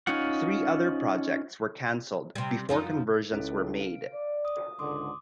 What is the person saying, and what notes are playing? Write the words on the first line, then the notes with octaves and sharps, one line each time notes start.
Three other projects were cancelled before conversions were made.
C#4 D#4 F4 F#5
C3 G3
F#2 F3 D#4
C#2 C#4 E4 A4
F5 D7
D5
D#6
C#2 G#2 D3 C6 D6 D#6